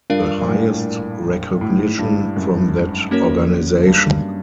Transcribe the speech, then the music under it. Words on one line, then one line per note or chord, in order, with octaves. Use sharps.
The highest recognition from that organization.
G2 D4 F4 A#4 D5 F5
A#2
A2
A2
G#2
A2
G2
F#2
A#3 C#4 F#4 A#4 C#5
G2